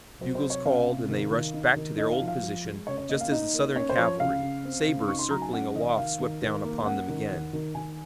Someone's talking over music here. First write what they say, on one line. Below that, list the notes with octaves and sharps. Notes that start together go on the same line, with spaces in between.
Bugles called and they rushed back to their old position just as the Southern cavalry, sabers circling aloft swept down upon them again.
F#3 C5
C5
C3
C#5
C#4 F5
C3
D#3
D#3
D#4
D#3
D#4 D#5
F5
F3
F5
F3
G#3
C#3 C#5
C#5
A#3 D#5
F5
D#4 D#5
A#3
C#4 C#5
C5
F3 C#5
C#3 F5
C#3
C4
C#3
D#4 C#6
C6
F#3 A#5
G#5
C#4 F#5
D#3 D#5
D#3 F5
D#3
D#3
A#3
C#4 F#5
D#3
D#3
D#3
D#3 G#5